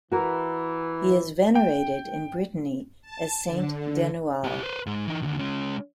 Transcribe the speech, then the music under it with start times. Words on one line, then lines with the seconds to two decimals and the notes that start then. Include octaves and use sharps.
He is venerated in Brittany as Saint Denoual.
0.12 E3 F#4 A#4
1.55 G5
3.01 A5
3.47 D3
4.44 E4 G4
4.63 B4 C5
4.86 G#2 G#3
5.07 E3 D#4
5.22 D#2 D3
5.39 G#3 C#4